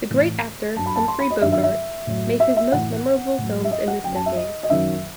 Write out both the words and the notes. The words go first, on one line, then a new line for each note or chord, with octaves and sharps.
The great actor Humphrey Bogart made his most memorable films in this decade.
A2 E3
G2 F#3 A5
B5
A5
C6
B5
D#5
G2 D#3 F#3 E5
E5
E5
A2 F#3
E5
E5
A2 E3 F#5
A2 F#3
E5
D#5
F#5
F#2 F#3 G5
A5
E5
D#5
D#5
F#2 D#3 F#3 E5